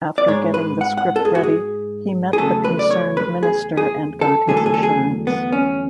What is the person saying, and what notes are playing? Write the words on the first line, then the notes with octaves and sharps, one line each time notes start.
After getting the script ready, he met the concerned minister and got his assurance.
D5
G#2 G#3 C#5
B4
F#5
F#5
A4
G#4
F#4
G#4
G#4
E2 C#3 F#3 A3 A4
B4
D5
C#5
B4
G#4
G#4
A4
E2 D3 F#3 A3 G#4
A4
G#4
A4
G#4
B3
C#4